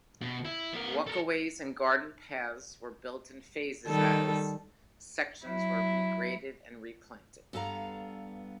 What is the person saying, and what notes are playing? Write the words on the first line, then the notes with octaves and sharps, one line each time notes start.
Walkways and garden paths were built in phases as, sections were regraded and replanted.
B2
E4
B3 A#4
A4 A#4
D#3 G3 A4
F#3 E4
G2 B3 A4 F5 A#5